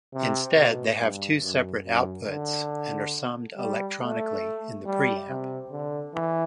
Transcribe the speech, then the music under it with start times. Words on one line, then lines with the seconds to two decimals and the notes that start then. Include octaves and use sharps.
Instead, they have two separate outputs and are summed electronically in the preamp.
0.14 C3
0.57 B2
0.99 G2
1.42 F#2
1.85 F#2
2.27 D3
3.56 G3
3.99 A3
4.86 G3
5.29 C3
5.71 D3
6.14 E3